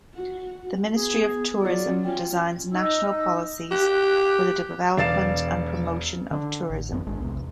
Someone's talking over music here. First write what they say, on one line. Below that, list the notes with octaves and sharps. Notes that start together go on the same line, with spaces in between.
The Ministry of Tourism designs national policies for the development and promotion of tourism.
F#4
B3 G#4
F#3 F4 D5
C#4 F4 G5
D#4 D#5 E6
G4 F#6
E1 D5 F5 A6 C7 E7
D3 D4
A1
F#2 B3 C4
G#1 G#3 D4
B1 E2 C3